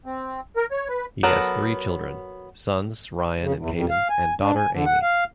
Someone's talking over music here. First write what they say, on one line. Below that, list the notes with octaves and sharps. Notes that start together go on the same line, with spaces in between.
He has three children: sons Ryan and Caden, and daughter Aimee.
C4
A#4
C#5
B4
F#3 B3 A4 A#4
C#3
E2
F2
F5
G#5
D4
G#5
D3
F#5
F5